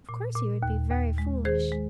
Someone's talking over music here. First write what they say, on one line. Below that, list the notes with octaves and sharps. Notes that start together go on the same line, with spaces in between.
Of course he would be very foolish.
A#2
A#2
D#2
D#2
G#3
D#3 G#4 C5
G#3